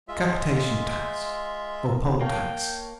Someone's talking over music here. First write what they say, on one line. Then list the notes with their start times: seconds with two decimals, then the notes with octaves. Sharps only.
A capitation tax, or poll-tax.
0.08 G#3 F4 E5
2.21 A#3 C#5 F5 G5 A5